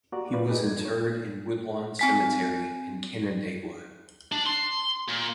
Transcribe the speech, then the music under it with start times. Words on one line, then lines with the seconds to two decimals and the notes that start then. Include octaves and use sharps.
He was interred in Woodlawn Cemetery in Canandaigua.
0.12 A#3 F#4 G4 D5 A#5
0.33 F4 B4 D5
0.49 G4 G#4 A#4 B4 D#5
0.63 F2 G#3 G#6
0.81 A4 C#5
1.99 C4 G#5 B6
4.32 D4
4.47 C6
5.09 A#2